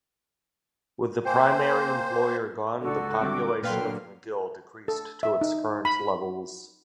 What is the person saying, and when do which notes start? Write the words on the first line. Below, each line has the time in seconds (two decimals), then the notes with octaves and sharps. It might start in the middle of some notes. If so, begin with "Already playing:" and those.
With the primary employer gone, the population of McGill decreased to its current levels.
1.25 A#3 C5 G5 G#5
2.81 C#2 D3 F#4 A4
3.21 D3 G3 C4 D6
3.63 A#2 D3 F#3 B4 F5 G5 C6 F6
4.88 A4
5.23 E5
5.41 D#4
5.85 B5